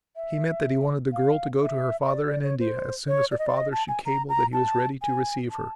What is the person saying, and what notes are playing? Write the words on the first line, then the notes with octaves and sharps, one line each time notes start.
He meant that he wanted the girl to go to her father in India as soon as her father should cable that he was ready to receive her.
E5
F5
E5
D#5
D5
D5
C#5
C5
C#5
D5
D#5
D5
D#5
A5
G#5
A#5
A#5
A5
G#5
A5